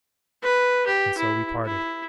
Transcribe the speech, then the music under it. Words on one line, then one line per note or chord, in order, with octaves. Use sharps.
And so we parted.
B4
G4
E4
E4